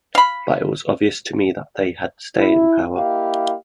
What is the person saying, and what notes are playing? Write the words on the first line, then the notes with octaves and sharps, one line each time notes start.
But it was obvious to me that they had staying power.
F5 B5
E4
A#3 E4 G4 D#5 F5